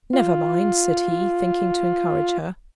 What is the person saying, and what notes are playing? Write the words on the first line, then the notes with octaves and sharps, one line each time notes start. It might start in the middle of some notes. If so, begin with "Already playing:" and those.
'Never mind!' said he, thinking to encourage her.
F4